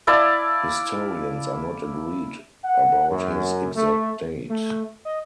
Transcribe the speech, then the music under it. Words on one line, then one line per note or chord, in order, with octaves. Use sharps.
Historians are not agreed about his exact date.
E4 D5 F5 A5
F#5
F#2
A3
A3
D#5